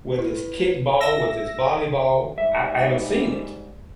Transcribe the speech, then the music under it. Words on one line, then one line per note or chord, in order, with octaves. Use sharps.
whether it's kickball, whether it's volleyball, I I haven't seen it.
E4 B4
E5 E6 A#6
G#2 G3 E5